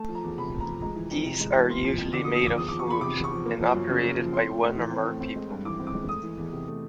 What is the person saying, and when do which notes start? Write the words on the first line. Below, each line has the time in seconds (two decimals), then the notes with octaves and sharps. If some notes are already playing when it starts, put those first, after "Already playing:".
These are usually made of wood, and operated by one or more people.
Already playing: A3 A5
0.09 F3
0.15 A#5
0.23 E2
0.37 C3 B5
0.52 A3
0.60 A#5
0.67 F3
0.82 G#3 A#5
0.96 E3
1.11 F2
1.25 C3
1.41 G#3
1.55 E3
1.70 A#3 C6
1.84 F3
1.98 F2
2.13 D3 D6
2.24 D#6
2.28 A#3
2.35 D#6
2.43 F3 D6
2.57 E2 D#6
2.68 F3 D6
2.79 C#6
2.86 E2 B5
3.01 C3 D6
3.16 E2
3.24 C#6
3.31 F3
3.45 A#3
3.60 F3
3.74 F#2
3.89 C#3
4.04 A#3
4.19 F3
4.32 C4 C6
4.47 A3
4.62 A2
4.76 E3
4.91 C4
5.06 A3
5.20 C4
5.35 G#3
5.50 G2
5.65 E3 D6
5.79 C4
5.87 D6
5.94 G#3
6.08 A3 D#6
6.23 E3
6.38 E2
6.53 C3
6.67 A3